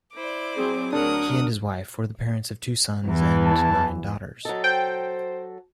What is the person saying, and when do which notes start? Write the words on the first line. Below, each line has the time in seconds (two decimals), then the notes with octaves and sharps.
He and his wife were the parents of two sons and nine daughters.
0.15 E4 C5 D5 D6
0.55 F#3 C4 G#4
0.93 D2 F#3 D4 A#4 F#5 D#6
3.06 E2 E3
3.44 A5
4.45 F#3 A4 D#5
4.64 C5 G5